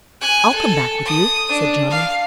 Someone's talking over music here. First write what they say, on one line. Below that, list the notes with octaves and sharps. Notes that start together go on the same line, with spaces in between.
"I'll come back with you," said Johnny.
G#5 F#6
A4
D#6
D4
F5